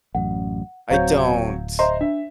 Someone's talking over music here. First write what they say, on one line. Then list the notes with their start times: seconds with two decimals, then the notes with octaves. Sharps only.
I don't.
0.15 A1 F#2 F#5
0.91 D1 F#3 C4 C#5 F5 G6
1.79 C5 D#5 E5 A#5 C6
2.01 D4 E5